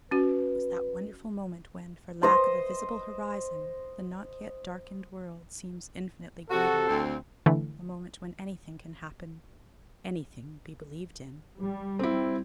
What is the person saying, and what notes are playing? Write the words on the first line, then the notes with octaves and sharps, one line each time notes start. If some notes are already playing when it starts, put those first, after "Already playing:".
It was that wonderful moment when, for lack of a visible horizon, the not yet darkened world seems infinitely greater--a moment when anything can happen, anything be believed in.
C#4 F#4 B4
C5 D#5
C3 F#4 A4
D2 C4
D3 E3 A3
G3
C4 E4